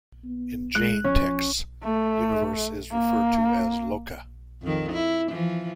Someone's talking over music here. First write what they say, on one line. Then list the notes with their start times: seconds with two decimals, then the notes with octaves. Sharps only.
In Jain texts, universe is referred to as Loka.
0.24 B3
0.75 G#3 F#6
1.04 F3 C#4
1.84 A3
2.92 A#3
4.62 F2 D#3
4.92 E4
5.29 E3 F3